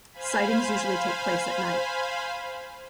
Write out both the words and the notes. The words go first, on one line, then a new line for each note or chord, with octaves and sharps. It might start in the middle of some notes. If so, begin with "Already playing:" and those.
Sightings usually take place at night.
C5 F5 G#5 B5